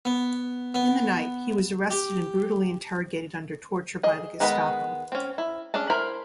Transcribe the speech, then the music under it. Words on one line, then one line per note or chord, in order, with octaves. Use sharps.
In the night he was arrested and brutally interrogated under torture by the Gestapo.
B3
B3
G4
G#4 D#5
D#3 G#3 B3 D#5 B5
C4 C#4
E4
C#4 D4 G#4 A5
E4 A#4 C5 B5